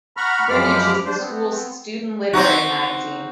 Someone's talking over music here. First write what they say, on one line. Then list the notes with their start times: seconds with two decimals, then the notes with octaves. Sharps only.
"Greenwitch" is the school's student literary magazine.
0.17 F#5 A#5 B5 C#6 F6
0.49 F#2 F3 G#3 B5 D6 F6
1.05 D4 C5
1.19 B3 C4
2.33 C4 D#4 F#4